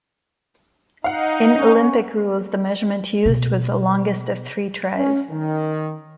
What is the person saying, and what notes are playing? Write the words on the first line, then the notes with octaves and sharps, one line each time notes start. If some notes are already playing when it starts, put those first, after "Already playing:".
In Olympic rules, the measurement used was the longest of three tries.
D#4 F5 F#5
C#4
B2 B3
C#4
D#3